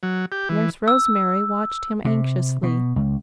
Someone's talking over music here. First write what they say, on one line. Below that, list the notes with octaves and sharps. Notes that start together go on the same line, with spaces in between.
Nurse Rosemary watched him anxiously.
F#3
G4
E3
E6
C3
B2
C#2